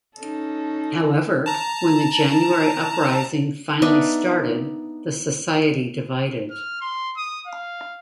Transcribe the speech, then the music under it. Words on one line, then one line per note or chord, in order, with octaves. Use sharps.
However, when the January Uprising finally started, the society divided.
C#4 D#4 A4
A5 A#5
B3 D4 D#4 E5
F6
C6
D#6
F5